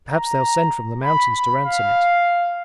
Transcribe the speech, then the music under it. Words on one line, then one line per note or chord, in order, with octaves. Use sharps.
Perhaps they'll send from the mountains to ransom it.'
A#5
B5
B5
F5